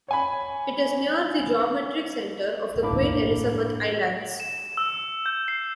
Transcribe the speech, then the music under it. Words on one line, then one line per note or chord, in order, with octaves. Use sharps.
It is near the geometric centre of the Queen Elizabeth Islands.
C#5 G#5 B5
A2 A#3 D4 B5 D6
E7
E6
G6
C7